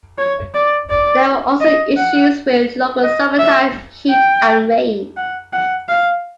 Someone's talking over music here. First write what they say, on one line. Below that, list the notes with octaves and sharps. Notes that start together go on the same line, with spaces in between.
There were also issues with local summertime heat and rain.
C#5
D5
D5
D#5
F#5
D#5
E5
G5
F#5
F#5
F5